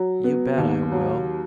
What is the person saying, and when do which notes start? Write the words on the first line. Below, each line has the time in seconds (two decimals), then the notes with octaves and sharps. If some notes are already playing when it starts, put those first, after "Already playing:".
You bet I will!
Already playing: F#3
0.24 B3
0.58 D#2
0.92 F#3